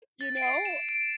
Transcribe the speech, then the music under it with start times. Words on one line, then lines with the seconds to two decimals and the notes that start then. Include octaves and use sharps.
you know?
0.21 A6
0.37 D7
0.43 C7
0.65 E7
0.89 D7